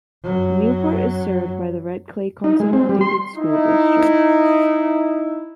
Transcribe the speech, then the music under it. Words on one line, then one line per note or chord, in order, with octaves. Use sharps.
Newport is served by the Red Clay Consolidated School District.
F#2 F#3
D#4
G#3
C4
G3
C6
D#4 E4